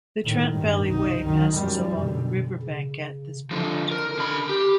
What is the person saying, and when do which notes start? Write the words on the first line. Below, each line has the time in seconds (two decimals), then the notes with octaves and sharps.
The Trent Valley Way passes along the riverbank at this point.
0.24 A2 D#3
0.54 G2 D#3
0.86 C2 D#4
1.25 F#2 D#3
1.57 F#2 G3
2.00 B2 D3
2.62 C#3
3.51 D3 F3
3.91 A#4
4.18 D3 B5
4.49 G4